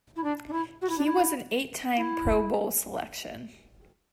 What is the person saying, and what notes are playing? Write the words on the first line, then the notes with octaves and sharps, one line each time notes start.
He was an eight-time Pro Bowl selection.
E4
D4
D4
E4
F#4
E4
D4
E4
E4